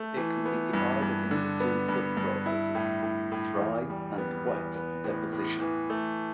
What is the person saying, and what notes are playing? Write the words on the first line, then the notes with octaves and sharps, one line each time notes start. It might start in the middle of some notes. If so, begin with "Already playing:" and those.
It can be divided into two sub-processes: "dry" and "wet" deposition.
Already playing: A3
E3
B3
G2
G2
D3
B3
G2
G2
E4
A2
A2
A2
E2
G3
B3
E2
B3
A2
A2
E3
A3